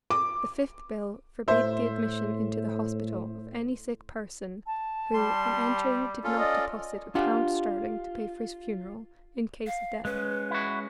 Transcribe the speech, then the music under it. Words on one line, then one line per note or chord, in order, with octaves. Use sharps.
The fifth bill forbade the admission into the hospital of any sick person who on entering did not deposit a pound sterling to pay for his funeral, in case of death.
D6
A2 C5 E5
A5
G3 C6
C#4 F4 A4
D5 D#5
D4 F4 G4 F#5
F5
G#3 C#4 B4
E4 F#4